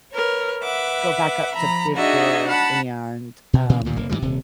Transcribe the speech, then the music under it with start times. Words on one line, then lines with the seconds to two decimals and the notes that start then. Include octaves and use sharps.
go back up to Big Bear and, um,
0.12 A#4 B4 C#5
0.63 B4 E5 F#5 D6
1.53 F3 A#5 B5
1.94 D4 D#4 F#4 G#4 D#5 E5
2.49 F#5 A5 B5
3.53 B2
3.69 A#2 C#3 E3 C4
3.85 D2 G2 A#2 D#3
3.96 F1 A#3
4.09 G#2 C3 E3 G3
4.22 D#1 C3